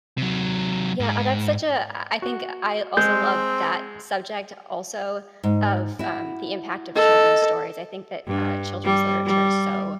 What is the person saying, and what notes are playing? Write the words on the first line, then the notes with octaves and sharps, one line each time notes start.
Yeah, uh, that's such a I I think I also love that subject also of, um, the impact of children's stories. I think that, uh, children's literature is so,
C3 F#3
G#2
F#4
G#3 C4 G6
G#2
E4 F#4
A4 D#5
G2
G3
G3